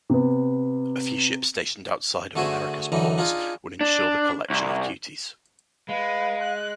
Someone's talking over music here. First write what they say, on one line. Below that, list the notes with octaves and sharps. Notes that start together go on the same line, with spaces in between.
A few ships stationed outside of Americas ports would ensure the collection of duties.
C3 B3
D3 A3 F#4 G#4 C5
F#2 D3 E3 D#4
D4 D#4 F4 G#4
D4
C2
G#3 B4 F5
F#6